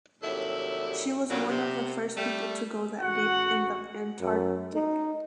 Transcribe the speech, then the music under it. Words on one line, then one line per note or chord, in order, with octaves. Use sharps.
She was one of the first people to go that deep in the Antarctic.
D#2 C3 F#3 G3 E4 A4
G2 A#2 F#3
C3
G3 A3
A1 F#4 F#5
F#2
D#4